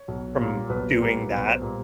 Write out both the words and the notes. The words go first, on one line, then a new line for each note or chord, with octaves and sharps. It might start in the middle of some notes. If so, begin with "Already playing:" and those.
from doing that
Already playing: C#5
B1
A#2 G3 A#3
B1 B4
A#2 G3 A#3
B1 B4
C5
A#2 G3 A#3